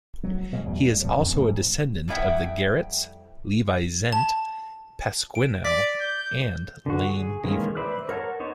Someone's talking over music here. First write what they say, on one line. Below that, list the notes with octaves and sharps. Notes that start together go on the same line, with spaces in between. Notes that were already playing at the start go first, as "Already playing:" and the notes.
He is also a descendant of the Garretts, Levi Zendt, Pasquinel, and Lame Beaver.
F#3
B2 E3 G#3
E2 F#3 G3 A3
F#2 B2 F3 F#3
E2 B2 D#3 C#4
D1 G#2 E3 F3
F2 G3 E4 E5 F#5 G5
A5
D7
D5 B6
G6
D3 F#4
G#4
D#3 E3 G#3 A#3 C#4
B4 C5 D5 E5 B5
A#4 C#5 F#5 A5 A#5
B3 D#4 C5 C#5